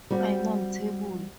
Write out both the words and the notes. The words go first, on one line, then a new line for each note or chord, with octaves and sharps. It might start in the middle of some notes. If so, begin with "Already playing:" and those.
Final table.
G3 C4 F#4